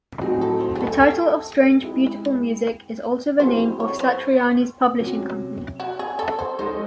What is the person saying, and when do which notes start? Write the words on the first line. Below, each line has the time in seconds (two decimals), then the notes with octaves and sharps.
The title of "Strange Beautiful Music" is also the name of Satriani's publishing company.
0.21 A2 F#3 C4 D#4 F#4 G#4
0.41 A4
0.61 C5
0.75 G#4
0.81 A4
0.95 G#4
1.01 A4
1.81 G#3 C4 E4
3.40 F#3 A3 C4 E4 G#4 C5
3.80 C#5
4.00 C5
5.00 C3 F#3 C#4
5.80 F#4
5.99 G#4
6.19 A4
6.39 C5
6.59 G#3 D#4 A4 C5 D#5